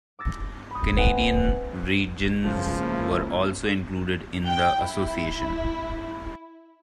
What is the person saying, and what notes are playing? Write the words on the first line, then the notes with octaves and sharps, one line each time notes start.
Canadian regions were also included in the Association.
D6 E6 A6 A#6 C#7
B5 D#6
C4 B4 E5 F#5 G#5
C#2 F#2 A2 C#3 F3 F4
A#3 E4
G5
E4